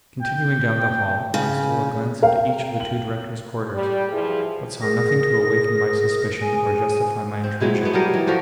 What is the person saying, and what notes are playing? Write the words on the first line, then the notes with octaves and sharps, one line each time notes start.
Continuing down the hall, I stole a glance into each of the two directors' quarters but saw nothing to awaken my suspicion or justify my intrusion.
G5
C#3
A#4 F5 G5
F#7
G3
E3 F3 G3 E4 G#4
G#4 A#4 A#6
G#4 G#5
C4
F#3 G#3 E4 B4
B2 A3 B3
F#3 G3 A#4 D#5
E3
F3 F#4 A4 A#4